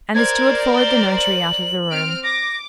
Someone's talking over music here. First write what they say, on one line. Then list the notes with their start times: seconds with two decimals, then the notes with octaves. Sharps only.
And the steward followed the notary out of the room.
0.15 A#4 C5 D5 G#6
0.77 G7
1.17 F#7
1.91 C4 F6 D7
2.24 D6 A#6